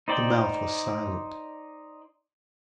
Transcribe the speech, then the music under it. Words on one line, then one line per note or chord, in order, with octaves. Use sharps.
The mouth was silent.
D#4 C5 D5 G5